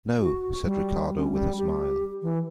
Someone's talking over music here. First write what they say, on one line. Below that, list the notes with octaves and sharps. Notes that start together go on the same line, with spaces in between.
"No," said Ricardo, with a smile.
F#4
G3
C#4
G3
G4
E3